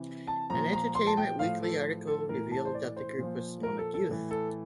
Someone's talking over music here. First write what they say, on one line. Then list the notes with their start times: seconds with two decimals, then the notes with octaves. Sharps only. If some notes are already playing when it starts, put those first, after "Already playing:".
An "Entertainment Weekly" article revealed that the group was Sonic Youth.
Already playing: C3 E3
0.27 A5
0.50 A#2 F3 A#5
0.73 A#5
0.95 C6
1.07 A5
1.17 G5
1.39 A2 F3 F5
1.63 A4
2.07 A4
2.29 A2 E3 A#4
2.51 A5
2.65 C5
2.74 D5
2.97 C5
3.18 A#2 F3
3.63 A#4
3.78 A4
3.94 A4
4.08 A2 E3
4.31 A4